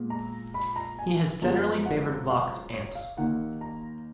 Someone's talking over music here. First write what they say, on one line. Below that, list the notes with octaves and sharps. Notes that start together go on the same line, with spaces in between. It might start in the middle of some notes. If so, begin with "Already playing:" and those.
He has generally favored Vox amps.
Already playing: A#2 G#3 B3
A#5
B5
A#5
G#5
F#2 F3 G#3 B3
F#5
F5
C#5
F5
D#2 D#3 A#3 F#5
A#5